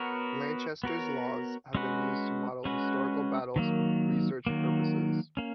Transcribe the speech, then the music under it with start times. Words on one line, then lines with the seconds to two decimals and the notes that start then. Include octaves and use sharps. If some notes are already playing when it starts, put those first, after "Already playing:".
Lanchester's laws have been used to model historical battles for research purposes.
Already playing: B3 F#4 A#4 C#5
0.84 B3 F#4 A#4 C#5
1.75 G#3 C#4 F#4 B4
2.65 G#3 C#4 F#4 B4
3.56 D#3 F#3 A#3
4.47 D#3 F#3 A#3
5.37 A#3 C#4